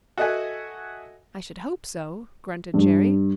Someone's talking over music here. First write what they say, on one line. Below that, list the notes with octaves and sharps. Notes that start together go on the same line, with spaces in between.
"I should hope so," grunted Jerry.
F#4 A4 D#5 E5 F#5 G#5
G2